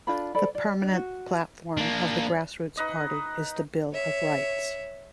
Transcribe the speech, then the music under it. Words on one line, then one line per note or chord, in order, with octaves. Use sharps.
The permanent platform of the Grassroots Party is the Bill of Rights.
D4 F4 A4 B5
A4 C5 D5 B5
D5
D4
F#4
A#3 D4
D#4 B4 D#5
C#5 E5